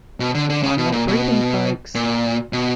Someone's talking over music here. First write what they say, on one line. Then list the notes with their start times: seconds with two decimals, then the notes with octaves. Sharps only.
I'm not breathing folks!
0.20 B2
0.35 D3
0.50 D3
0.63 C#3
0.78 B2
0.92 A#2
1.08 B2
1.95 A#2
2.53 B2